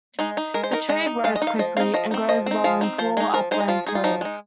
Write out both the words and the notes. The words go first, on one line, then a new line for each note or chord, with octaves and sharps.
The tree grows quickly, and grows well in poor upland soils.
G#3 D#4
D#4
G#3 A#4
C5
D#4 A#4
G#3 D#5
D#4
G#3 F5
D#5
D#4
F5
F3 D#5
C4 D#4 F5
F3 D#5
C4 D#4
F3 D#5
C4 D#4
F3 F5
C4 D#4
F3 C5
G#3 D#4
F3 A#4
G#3 D#4 C5
D#5
F3 F4
G#3 D#4 G#4
F4
F3 D#4
G#3 D#4